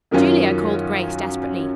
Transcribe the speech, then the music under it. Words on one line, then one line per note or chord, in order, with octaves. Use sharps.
"Julia," called Grace desperately.
F#2 D#3 F#3 C#4 F4